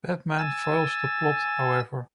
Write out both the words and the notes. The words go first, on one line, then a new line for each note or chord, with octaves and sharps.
Batman foils the plot, however.
G#5 E6 A6